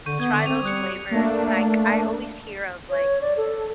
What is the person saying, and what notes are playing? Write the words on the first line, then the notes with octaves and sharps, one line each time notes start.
try those flavors, and, like, I always hear of, like,
D3 C#6 G6 D#7
B3 G#6
D3 D6
C4 D#7 F7
G3 D#6 F#6 C#7
A3 A#3 D4
C#5
D5
A4